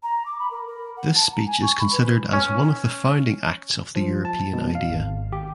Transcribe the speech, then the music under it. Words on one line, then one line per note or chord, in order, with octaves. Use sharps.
This speech is considered as one of the founding acts of the European idea.
A#5
D6
B5
A#4
A#4
F#5
A5
A#5
G#5
C#6
B5
B4
C#4
F3
A5
B2
F5
G#1
G4